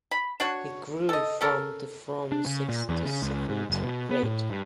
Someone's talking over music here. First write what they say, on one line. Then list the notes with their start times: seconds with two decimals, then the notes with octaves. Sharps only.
He grew from to from sixth to seventh grade.
0.11 B5
0.40 D4 F#4 C#5
1.09 A4 D#5
1.41 C#4 A4 A#4
2.32 D4
2.46 C#3
2.69 A#2
2.89 E2
3.05 C#3
3.22 C#2
3.49 G#2
3.70 F#1
3.83 B2
4.11 B3
4.23 A2
4.50 G2